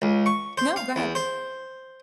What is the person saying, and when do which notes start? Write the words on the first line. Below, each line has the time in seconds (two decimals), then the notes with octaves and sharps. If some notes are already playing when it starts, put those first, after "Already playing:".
No. Go ahead.
0.02 C#2
0.26 C#6
0.58 C5
0.76 F5
0.96 E2
1.15 C5